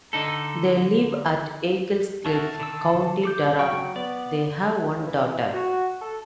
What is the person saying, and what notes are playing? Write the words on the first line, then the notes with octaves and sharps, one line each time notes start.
They live at Eaglescliffe, County Durham; they have one daughter.
D3 D#4 A4
C#4 E4 F#4 A5
D3 D#3 E6
A4 D6 G6
F#3 G5 C#6
B3 D5
C#2
E3
F#4
A4